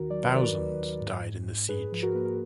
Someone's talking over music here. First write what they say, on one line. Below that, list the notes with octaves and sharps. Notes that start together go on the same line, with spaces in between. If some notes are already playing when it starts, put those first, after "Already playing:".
Thousands died in the siege.
Already playing: D#2 D#3 F#4 A#4
F#3 D5
B4
D#3 A#4 D5
D#2
D#2
G#2
G#2
G#2
G#2 G#4 B4
F3
F#4 A#4
A#3 B4
A#4